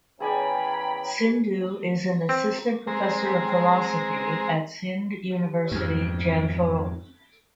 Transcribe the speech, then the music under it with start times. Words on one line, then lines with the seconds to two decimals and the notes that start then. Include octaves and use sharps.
Sindhu is an assistant professor of philosophy at Sindh University Jamshoro.
0.20 E2 C#4 G#4 D5 G5 G#5 A#5 B5
2.29 C4
2.87 G#3 C4 A#5
5.71 F2 G#2